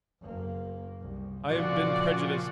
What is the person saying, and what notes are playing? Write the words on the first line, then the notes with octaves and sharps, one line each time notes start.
I have been prejudiced.
F#1 A#3
C2
A#2 C#3 F3 F#4 D5